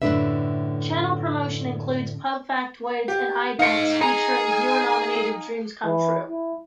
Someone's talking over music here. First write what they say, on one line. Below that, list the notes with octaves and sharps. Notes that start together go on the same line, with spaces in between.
Channel promotion includes pub factoids and idents featuring viewer nominated "dreams come true".
F#2 A2 D3 D4 B4 E5
G4
D#4 F5 C6 C#7
D#4 G#4 G#5 A#5
E3
E4